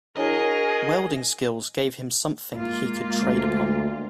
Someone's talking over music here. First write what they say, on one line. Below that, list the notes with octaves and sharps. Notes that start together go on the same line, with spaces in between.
Welding skills gave him something he could trade upon.
D4 E4 F#4 G#4 A#4 C#5 D#5
G#3 A#3 F4
D2